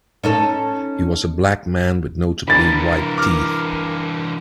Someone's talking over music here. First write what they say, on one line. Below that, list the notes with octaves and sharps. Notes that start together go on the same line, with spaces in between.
He was a black man with notably white teeth.
C#4 D#4 A4
E3 D4 A#4 B5 A6
D6 F6